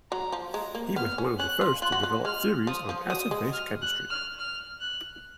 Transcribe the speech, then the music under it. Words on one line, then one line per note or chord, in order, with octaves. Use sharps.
He was one of the first to develop theories on acid-base chemistry.
F#3 A#5
F3
G#3 A#5
A#3
B3 F6
C#4
C#4 F#6
F4
F4 F#6
F#4
F4
G#3 F6
F3 D#6
F3
F#3 D#6
G#3
F6
F#6
F6
F6
F#6